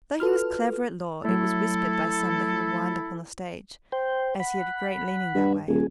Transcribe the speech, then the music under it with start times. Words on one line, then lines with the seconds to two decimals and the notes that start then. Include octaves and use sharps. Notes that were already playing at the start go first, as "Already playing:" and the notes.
Though he was clever at law, it was whispered by some that he would wind up on the stage, as he had a great leaning that way.
0.20 F4 F#4 A4 B4 F6
1.24 F#3 A3 E4 A4
3.92 C5 G5
4.40 F#5 B5
5.35 G2
5.68 D#1 G#4